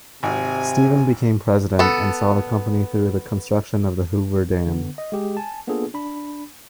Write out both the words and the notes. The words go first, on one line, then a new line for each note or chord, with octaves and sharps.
Stephen became president and saw the company through the construction of the Hoover Dam.
G#1 C3 G#5
B3 A4
D3 B3
D#5
G#3 G4 G#4
G#5 A5
A#3 B3 D4 F4 G#4 A4
D4 B5